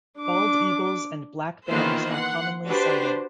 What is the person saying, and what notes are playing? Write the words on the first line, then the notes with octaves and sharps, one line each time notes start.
Bald eagles and black bears are commonly sighted.
D4 D6
D#3 E3 A#3 B3 F4 C5
F#5 C6
D4 F#4 G4 B4 C5